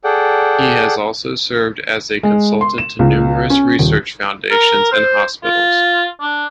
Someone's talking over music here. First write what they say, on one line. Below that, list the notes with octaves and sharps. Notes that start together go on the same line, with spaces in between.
He has also served as a consultant to numerous research foundations and hospitals.
G#4 A4 D5 F#5 G5
G#3
C6
E7
C#2
C#4
D#1
A#4
C5
F4
D4